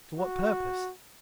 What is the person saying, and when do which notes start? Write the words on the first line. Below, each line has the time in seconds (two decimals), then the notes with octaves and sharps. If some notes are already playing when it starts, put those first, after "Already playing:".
To what purpose?
0.18 F#4